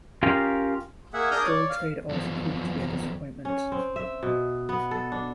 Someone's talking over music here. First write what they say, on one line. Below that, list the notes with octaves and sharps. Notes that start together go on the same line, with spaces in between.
The gold trade also proved to be a disappointment.
C#4 F4 G4 A#4 F5
A#3 G#4 E5 F#5
D4 G#4 A#4 D#6 F6 G6
C#5 D5
F5
E2 F3
C#4
C4
E5
B2
B3
A4
D4